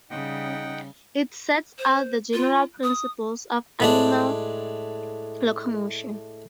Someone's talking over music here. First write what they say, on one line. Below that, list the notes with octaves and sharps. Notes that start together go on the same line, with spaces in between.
It sets out the general principles of animal locomotion.
C#3 G3 D#4 F#5 G5
C5
F4
D#6
A2 G#3 D4